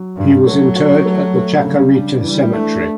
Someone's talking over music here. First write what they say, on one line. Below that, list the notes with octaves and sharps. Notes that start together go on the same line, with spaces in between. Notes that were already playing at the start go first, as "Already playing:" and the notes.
He was interred at the Chacarita Cemetery.
Already playing: F#3
G2 D3
F#3 A3
F#4
A3
A3
C#3 G3
D4
E3 G3
A3 D4